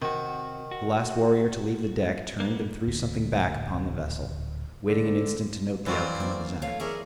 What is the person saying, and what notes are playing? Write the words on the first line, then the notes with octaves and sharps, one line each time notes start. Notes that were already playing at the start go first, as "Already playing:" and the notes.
The last warrior to leave the deck turned and threw something back upon the vessel, waiting an instant to note the outcome of his act.
C3 D#3 F#4
F#4
A#3 B3
D1 A#2
D3
E3 F#3 C4 F4 C5 D5
G2 A#3
A3 C#5 F5
C#4 G#4 A#4 D5 E5